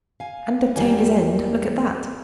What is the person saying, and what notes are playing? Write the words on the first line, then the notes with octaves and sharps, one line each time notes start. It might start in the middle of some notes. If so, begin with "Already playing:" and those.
"And obtained his end; look at that."
F5 G#5
E2 E3 G3 A#3 G#5